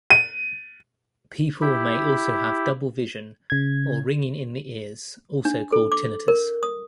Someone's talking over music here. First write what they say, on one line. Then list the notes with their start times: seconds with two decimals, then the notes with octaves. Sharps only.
People may also have double vision or ringing in the ears, also called tinnitus.
0.10 D#7
1.61 E4 G4
3.50 C#3 G#6
5.45 D4
5.72 A4
5.92 D6
6.28 A#4
6.63 D#6